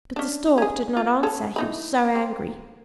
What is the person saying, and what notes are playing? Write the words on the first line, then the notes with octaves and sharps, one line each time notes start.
But the Stork did not answer, he was so angry.
C#4 D4
C#4 G#4
F4
C#4 A4
E3 D#4 B5
C4